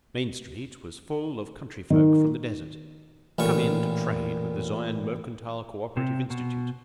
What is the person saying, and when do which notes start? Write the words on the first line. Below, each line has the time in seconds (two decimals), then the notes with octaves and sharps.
Main Street was full of country folk from the desert, come in to trade with the Zion Mercantile Co-operative Institute.
1.90 D#3
3.38 A1 A#2 C#6
5.97 C3
6.30 B2